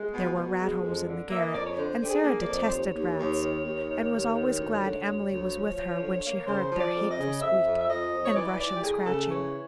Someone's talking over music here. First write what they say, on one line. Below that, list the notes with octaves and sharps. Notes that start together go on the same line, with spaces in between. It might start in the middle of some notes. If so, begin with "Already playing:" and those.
There were rat-holes in the garret, and Sara detested rats, and was always glad Emily was with her when she heard their hateful squeak and rush and scratching.
Already playing: G#3
B2
B2
G#3
F2
D3
A#3 E5
D#5
F2 D5
C#5
D3 C5
D3 G4
G#4
A#3
D5
F2
C5
D#2 C#5
D#2
D#2
D#3
D#2
D#3
D#2
D#3
D2
D3
D2
D2
F3
F3
D3
A#3
C#3 C5
F3 C#5
D5
F2
D#5
C#3
F2 E5
F2
E5
F2 D#5
F2
C#5
E3 D5
E3 D5
G4
A3 G#4
C#3 A4
E3 C#5